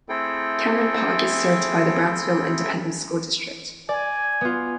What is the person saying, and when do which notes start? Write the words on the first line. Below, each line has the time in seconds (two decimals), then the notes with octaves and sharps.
Cameron Park is served by the Brownsville Independent School District.
0.09 A3 C4 E4 G#4 A4 G5
3.89 D5 G#5
4.41 B3 F4